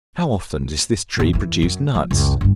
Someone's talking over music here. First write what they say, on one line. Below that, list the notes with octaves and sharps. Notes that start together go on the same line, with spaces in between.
How often does this tree produce nuts?
A1 D#2
F2 E3
F#2
F3
C#2 F#2
G1 G2